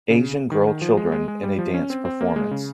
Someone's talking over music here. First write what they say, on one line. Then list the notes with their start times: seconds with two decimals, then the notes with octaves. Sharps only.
Asian girl children in a dance performance.
0.10 C#3
0.52 D#3
0.67 D#3
0.81 F3
0.97 G#3
1.12 G#3
1.28 G#3
1.43 G3
1.59 F3
1.74 C#4
1.90 C4
2.05 C4
2.21 A#3
2.36 G#3
2.51 C#3